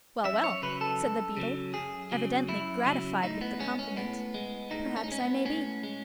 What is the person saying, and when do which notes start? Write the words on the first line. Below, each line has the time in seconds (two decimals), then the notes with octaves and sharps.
'Well, well,' said the beadle, evidently gratified with the compliment; 'perhaps I may be.
0.25 F#2 E5
0.44 C#5
0.62 C#3 F#3 B4
0.81 A4
1.00 F#2
1.37 C#3 F#3
1.73 F#2 G#4
2.11 C#3 F#3
2.48 F#2 E4
2.85 C#3 F#3
3.23 A2 D#4
3.41 B3
3.59 G#3 C#4
3.79 C#4
3.97 A2 B3
4.34 G#3
4.71 A2 D#4
4.96 C#4
5.04 D#4
5.08 G#3 C#4
5.21 B3
5.45 A2 C#4
5.83 G#3